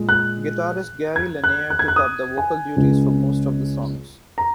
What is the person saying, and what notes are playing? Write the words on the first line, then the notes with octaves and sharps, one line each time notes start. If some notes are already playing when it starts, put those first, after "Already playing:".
Guitarist Gary Lenaire took up the vocal duties for most of the songs.
Already playing: A#2 G#3
F#6
G#6
F#6
F#6
G#6
F#6
D#6
G#5
C#2 C#3 G#3
A#5